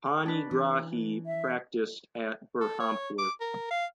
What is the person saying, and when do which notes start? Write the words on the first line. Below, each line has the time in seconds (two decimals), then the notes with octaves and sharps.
Panigrahi practiced at Berhampur.
0.23 C#4 D4 B4
0.51 E3
1.26 E5
2.60 A4
2.80 C#5
3.18 D6
3.41 A#4
3.71 F5